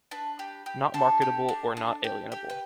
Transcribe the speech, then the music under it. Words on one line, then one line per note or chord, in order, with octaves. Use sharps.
Not marketable or not alienable.
D4 B4
G4
G4
D4 A4
G4
D4
D4
G4
G4
B4